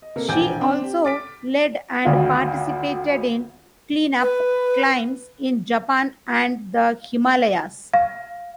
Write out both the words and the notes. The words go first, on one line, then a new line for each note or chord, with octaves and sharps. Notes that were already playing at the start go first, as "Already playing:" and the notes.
She also led and participated in "clean-up" climbs in Japan and the Himalayas.
D#5
C3 A#3 A4 A#4
E1 A#1 G5 G#5 D6 G6
C4 D4
G4
D6 A6 B6 D7
G#1 D2 F4
B4
F5